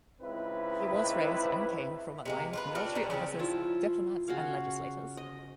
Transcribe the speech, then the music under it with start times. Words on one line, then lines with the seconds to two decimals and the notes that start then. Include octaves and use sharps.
He was raised and came from a line of military officers, diplomats, and legislators.
0.20 C#2 C4 D#4 E4 B4
2.25 C3 G#3 A#3
2.53 F4 F#4 B4
2.75 C4 D4 F4 C#5
2.95 A#2 G3
3.10 C#3 F#3 C4 B4
3.39 F3 E4 F4 E5
4.28 C#3 F#4 C#5 F5
5.17 D#5